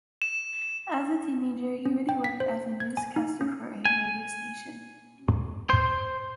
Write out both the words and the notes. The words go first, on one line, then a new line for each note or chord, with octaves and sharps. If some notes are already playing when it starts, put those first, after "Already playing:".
As a teenager he already worked as a newscaster for a radio station.
E7
C#4
G5
B6
C5
G#6
G#5
D#4
C#4
G#5
C5